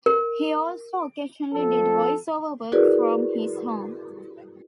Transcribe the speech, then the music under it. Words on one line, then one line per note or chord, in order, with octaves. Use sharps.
He also occasionally did voice-over work from his home.
A#4
F2 A4
E4 F#4 G#4 A#4 B4 D5